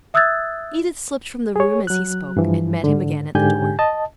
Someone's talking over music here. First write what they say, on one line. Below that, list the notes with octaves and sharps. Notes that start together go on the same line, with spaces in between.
Edith slipped from the room as he spoke, and met him again at the door.
E5 D#6 E6 F#6 G#6 A6
G#4 C#5
F#3 F#6
G2 E3 F3
G#2 D3
G#2 D3 G4 G#5 G6
D#5 A5